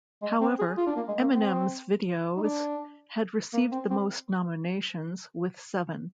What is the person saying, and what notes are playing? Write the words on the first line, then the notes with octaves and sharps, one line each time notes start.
However, Eminem's videos have received the most nominations with seven.
G#3
C4
G#4
F4
D4
A#3
G#3
A#3
C4
D#4
D4
A#3
C4
C4